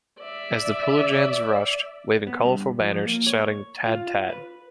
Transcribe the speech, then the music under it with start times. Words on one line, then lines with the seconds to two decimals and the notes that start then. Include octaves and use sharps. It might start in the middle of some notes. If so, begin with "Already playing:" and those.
As the Pulajans rushed, waving colorful banners, shouting Tad-Tad!
0.20 D5 E5
2.27 B3
2.44 G2
2.80 F3
3.05 A#3
3.27 C#5
3.85 F4
4.29 B4